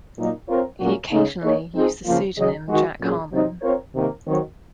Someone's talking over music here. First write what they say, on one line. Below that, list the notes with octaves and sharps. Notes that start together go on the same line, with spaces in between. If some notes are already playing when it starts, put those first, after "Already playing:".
He occasionally used the pseudonym Jack Harmon.
A#2 F#3 A#3 D#4
C4 F4 A#4 C#5
A#2 F#3 A#3 C#4 F#4
C#3 G#3 D#4
A#3 D#4 G#4 C#5
F3 C4 D#4 G#4
C#3 F3 A#3 C#4 F4
C#3 F#3 C#4 G#4 D#5
D#3 G#3 D#4 F#4
A#2 F#3 C#4 G#4
C3 F#3 C4 D#4
C4 F4 A#4 C#5
C3 D#3 A#3
D#3 F#3 C4 F#4 C#5